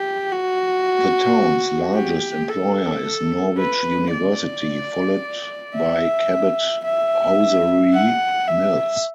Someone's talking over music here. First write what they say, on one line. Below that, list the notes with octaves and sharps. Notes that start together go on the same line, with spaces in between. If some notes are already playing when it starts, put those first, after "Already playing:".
The town's largest employer is Norwich University, followed by Cabot Hosiery Mills.
Already playing: G4
F#4
G4
A4
B4
D5
E5
E5
F#5
E5